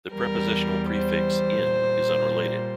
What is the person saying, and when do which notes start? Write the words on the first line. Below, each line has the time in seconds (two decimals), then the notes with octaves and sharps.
The prepositional prefix "in-" is unrelated.
0.13 E2 E3 G3 A#4
0.89 C5
1.65 A#2 G3